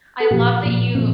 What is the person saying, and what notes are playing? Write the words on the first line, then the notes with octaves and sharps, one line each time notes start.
I love that you
A4
A#2 F3 G4
A#2 F3
A#2 F3 C4